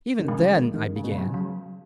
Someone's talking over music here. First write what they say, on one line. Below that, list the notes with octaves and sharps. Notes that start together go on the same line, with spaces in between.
"Even then--" I began.
D#3
C#3 G#3
D#3
D#3
C#3
B2
C#3
F#3
F#3